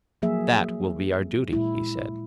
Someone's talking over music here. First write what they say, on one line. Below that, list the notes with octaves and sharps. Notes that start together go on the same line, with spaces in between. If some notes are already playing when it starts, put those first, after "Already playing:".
That will be our duty, he said.
F3 F#3 A#3 G#4 E5
A#2 G#3 E4